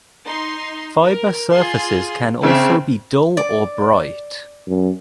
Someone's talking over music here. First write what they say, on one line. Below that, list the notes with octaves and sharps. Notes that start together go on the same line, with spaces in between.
Fiber surfaces can also be dull or bright.
D#4 C6
A#4
F4 G#4 C6
C#3 C4 D4 E5
D5
F#2